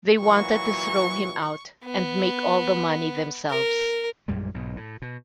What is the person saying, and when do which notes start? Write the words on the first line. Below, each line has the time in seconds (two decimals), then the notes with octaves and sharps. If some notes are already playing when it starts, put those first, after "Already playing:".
They wanted to throw him out and make all the money themselves.
0.20 A#2 E3 F#3 C#6
1.85 B3
3.49 A#4
4.28 A#1 F#2 G3 G#3
4.54 B1 G#2 B2
4.76 A2
5.02 B2